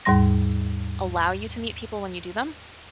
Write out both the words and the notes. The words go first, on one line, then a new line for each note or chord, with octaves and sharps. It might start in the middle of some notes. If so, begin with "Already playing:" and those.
allow you to meet people when you do them?
D#2 G#2 G3 C6 A#6